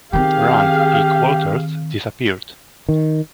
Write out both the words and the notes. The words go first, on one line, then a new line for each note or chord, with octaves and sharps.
Rand "Pig" Walters disappeared.
D#3 C4 G4 G#4 F5
D#3